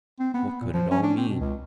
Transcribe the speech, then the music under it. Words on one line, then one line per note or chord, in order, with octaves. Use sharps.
What could it all mean?
C4
B3
B3
A#2
F3
C#4
D4
C4
B2
C#2